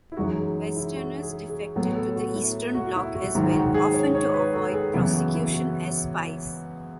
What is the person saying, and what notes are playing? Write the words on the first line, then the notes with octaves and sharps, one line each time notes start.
Westerners defected to the Eastern Bloc as well, often to avoid prosecution as spies.
E4
F#2 E3 G#3 D#4 F#4
G#4
E4
F#4
G#4
G#4
A2 F#3 B3 A4
A4
F#4
E4
F#4
E4
F#4
G#2 D#3 F#3 E4
F#4
G#4
C#5
C#5
B4
A4
G#4
F#2 C#3 E3 B3 E4
F#4
E4
F#4